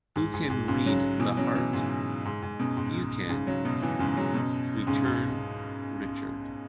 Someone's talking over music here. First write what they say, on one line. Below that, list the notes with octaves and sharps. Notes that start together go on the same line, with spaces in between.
"Who can read the heart?" "You can," returned Richard.
G#2
G#2
G#2
G#2 C#3
C#3 F#3
B2 E3
C#3 F#3
B2 E3
G#2 C#3
G#2
G#2
F#2 B2
G#2
G#2 C#3
C#3 F#3
F#2 B2
B2 E3
G#2 C#3
C#3 F#3
F#2 B2
G#2 C#3
G#2 C#3